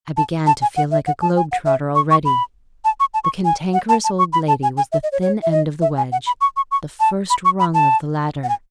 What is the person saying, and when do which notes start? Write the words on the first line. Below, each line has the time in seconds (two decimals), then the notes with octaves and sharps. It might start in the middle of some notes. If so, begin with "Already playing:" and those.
I began to feel like a globe-trotter already; the Cantankerous Old Lady was the thin end of the wedge--the first rung of the ladder!
0.17 A5
0.47 A5
0.62 G#5
0.76 F#5
0.92 E5
1.07 F#5
1.22 A5
1.37 G#5
1.52 F#5
1.66 E5
1.95 C#6
2.11 C#6
2.25 B5
2.85 A5
3.00 C#6
3.14 A5
3.24 C#6
3.45 G#5
3.73 F#5
3.89 A5
4.04 A5
4.19 C#6
4.33 B5
4.48 A5
4.63 G#5
4.77 G#5
4.92 E5
5.03 D#5
5.12 C#5
5.22 C#5
5.43 E5
5.52 D#5
5.82 E5
5.97 G#5
6.12 F#5
6.27 B5
6.41 C#6
6.57 C#6
6.71 C#6
7.00 A5
7.30 B5
7.45 C#6
7.59 B5
7.74 A5
8.44 F#5
8.49 G#5